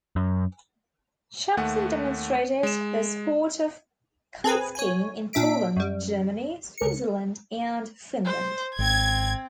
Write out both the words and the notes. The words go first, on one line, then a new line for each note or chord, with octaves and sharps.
Shapson demonstrated the sport of 'kiteskiing' in Poland, Germany, Switzerland and Finland.
F#2
D#2 A3 F#5
G#3 E7
C4 G#4 B4 G#5
C#5 G#5
A#2 D4 E5 B6 D7
F#2 G3
C#2 C#7
C5
G#1 C4 G#6